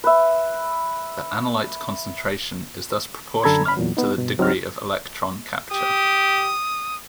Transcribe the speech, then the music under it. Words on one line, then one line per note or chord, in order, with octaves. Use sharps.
The analyte concentration is thus proportional to the degree of electron capture.
B4 E5
F#2 D3 A4 A#5 B5 G#6
B5 F6
E2 A#2 F#3
B3 D#4
G2 B2
C#2 F#3 C4 D#4 F6
G4 D#6